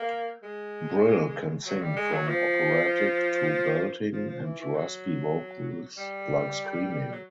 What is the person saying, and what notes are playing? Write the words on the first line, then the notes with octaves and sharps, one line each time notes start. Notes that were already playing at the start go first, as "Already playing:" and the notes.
Brill can sing from operatic to belting and raspy vocals like screaming.
Already playing: A#3
G#3
F#3
G3
G#3
F#3
F3
F3
F3
E3
E3
F#3
G3
F#3